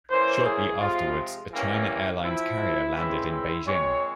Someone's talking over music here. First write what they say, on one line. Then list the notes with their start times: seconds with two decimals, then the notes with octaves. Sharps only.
Shortly afterwards, a China Airlines carrier landed in Beijing.
0.10 E3 A#3 C#4 C5
0.45 G#4
0.80 C3 F3 G#3 F4
1.52 E3 G3 A#3 C#4
2.23 F3 C4 E4
2.94 C#3 E3 G#3 C4 E4
3.29 E4
3.65 A#2 G#3 C4 C#5